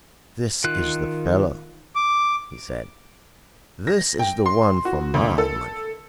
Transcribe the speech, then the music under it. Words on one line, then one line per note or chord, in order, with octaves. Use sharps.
"This is the fellow," he said, "this is the one for my money."
D#3 F4 F#6
D6
A#6
G5
C6
F#4
D2
A4